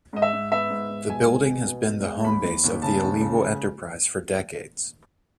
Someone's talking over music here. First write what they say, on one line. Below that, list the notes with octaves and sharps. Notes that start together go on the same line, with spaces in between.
The building has been the home base of the illegal enterprise for decades.
G#2 D#5
E5
G#2
B3 E5
G#2
G#2
B2 G#5
G#3
B2
B2
B2
G#3
D#2 B5
D#2
D#2
C#3 A5
D#2
C#3